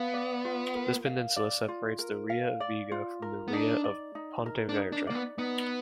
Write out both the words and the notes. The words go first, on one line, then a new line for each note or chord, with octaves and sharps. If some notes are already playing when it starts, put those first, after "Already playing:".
This peninsula separates the Ria of Vigo from the Ria of Pontevedra.
Already playing: B3 F5
D5
F4
A#4
F5
D5
F4
A#4
F5
D5
F4
A#4
B3
D4 D#4
D5
D#4
A#4
D4
D#4
D4
A#3 D5
B3
B3 D#4